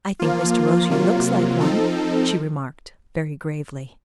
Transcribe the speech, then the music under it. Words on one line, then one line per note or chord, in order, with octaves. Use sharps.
"I think Mr. Rosier looks like one!" she remarked very gravely.
F3 A#3 F4
C3 F#3 A#3 F4
F3 C4 D#4 A4